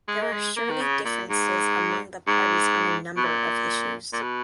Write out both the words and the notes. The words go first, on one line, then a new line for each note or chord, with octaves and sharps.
There are surely differences among the parties on a number of issues.
G#3
A#3
G#3
A#3
D#3
C#3
A#2
G#2
G#2
B2
A#2
A#2
B2